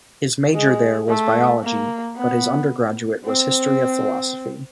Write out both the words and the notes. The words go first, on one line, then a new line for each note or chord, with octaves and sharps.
His major there was biology but his undergraduate was history of philosophy.
G#3
A3
A#3
B3
C4